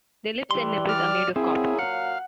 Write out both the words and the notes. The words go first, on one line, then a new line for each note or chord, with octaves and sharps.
Their lips and nipples are made of copper.
E3 G3 C6
D5 F6
A#2 F#3 C4 E4 G#4
F5 F#5